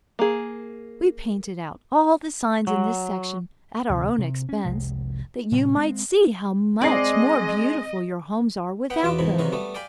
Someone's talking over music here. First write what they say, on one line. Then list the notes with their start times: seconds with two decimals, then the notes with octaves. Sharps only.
We painted out all the signs in this section at our own expense, that you might see how much more beautiful your homes are without them.
0.19 A#3 G#4
2.67 F#3
3.90 D2 C3 D#3
4.18 C3
4.49 C#4
4.65 F1 C2 G#3
5.52 A2 C3 G3
5.76 G#3 C4
6.81 G#3 C4 D5 D#5 C7
8.90 B3 F#5 G5 B5
9.03 E2 B2 F4 B4 E5 D6
9.18 G#2 C3 E3 B5
9.38 B1 C3 D#3 B4 F5
9.52 G3 A3 B3
9.75 D5 F5 G5 G#5 B5